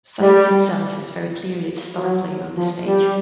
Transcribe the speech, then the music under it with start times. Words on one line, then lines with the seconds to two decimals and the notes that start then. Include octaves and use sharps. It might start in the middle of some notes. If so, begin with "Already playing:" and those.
Science itself is very clearly the star player on this stage.
0.20 G3
1.97 F#3
2.57 F3
2.87 G3